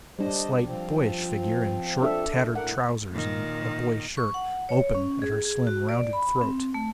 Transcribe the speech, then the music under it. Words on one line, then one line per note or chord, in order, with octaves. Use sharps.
A slight, boyish figure in short, tattered trousers and a boy's shirt, open at her slim, rounded throat.
G3 D4 C5 D#5
F3 C4
D4 A4 E5
A2 A#4 F#5
A#2 D#3
C#6
F#5
C#5
C#4
G#4
G#4
F#4
D5
B5
C4
A3